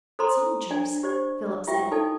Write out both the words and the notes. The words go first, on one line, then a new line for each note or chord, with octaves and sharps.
"Soldiers!" Philip said.
A4 C5 A#5 C6
D4 D5 G#5
G4 C5 D5
E4 G4 E5 G5
D#4 A4 D5 G#5